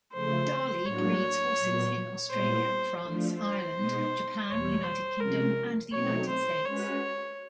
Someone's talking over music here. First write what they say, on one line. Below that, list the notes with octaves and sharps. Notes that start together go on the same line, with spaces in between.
Darley breeds horses in Australia, France, Ireland, Japan, United Kingdom and the United States.
C#3 F3 A3 C5
A2 F#3 A#3 D4 F#4 C#5
A#2 F#3 B3
A#2 G3 B3 E4 C5
F3 A3 D4 F4
C5
B2 G#3 B3 D#4
E2 B2 G3 C#5
C5
C3 F3 G#3 C#4 A#4
B2 F#3 A3 C4 D#4 C#5
C5
G#3 C#4 F#4 B4 C#5